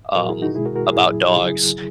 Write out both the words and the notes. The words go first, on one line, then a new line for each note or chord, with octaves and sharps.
um, about dogs,
A#2 F#3 F#4 A#4
E4 G#4
D#4 F#4
B2 G#3 E4 G#4
F#4 A#4
F#4 A#4
E4 G#4
A#2 F#3 E4 G#4
C#3 F#3 E4 G#4